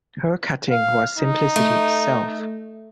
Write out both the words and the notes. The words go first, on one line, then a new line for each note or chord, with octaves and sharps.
Her cutting was simplicity itself.
F5
D#4
A3